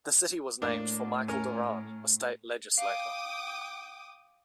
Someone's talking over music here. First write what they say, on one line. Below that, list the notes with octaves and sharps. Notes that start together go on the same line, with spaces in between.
The city was named for Michael Doran, a state legislator.
A2 A#3 D4
C#4 A#4
F5 G5 D6 D#6